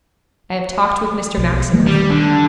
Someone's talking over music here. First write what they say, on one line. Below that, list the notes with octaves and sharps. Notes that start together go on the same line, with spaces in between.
I have talked with Mr. Maxineff.
B1
G3 G#3 A#3
D#3 G3
D3